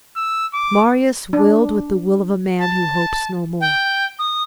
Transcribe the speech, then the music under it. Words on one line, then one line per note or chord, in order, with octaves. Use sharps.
Marius willed with the will of a man who hopes no more.
E6
D6
D4
A5
G5
D#6